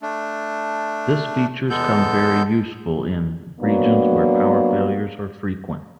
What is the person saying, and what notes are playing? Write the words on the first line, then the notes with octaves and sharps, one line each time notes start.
This features come very useful in regions where power failures are frequent.
A3 D4
E2 G#3 B3 A4 G6
F#3 A#3 B3 D4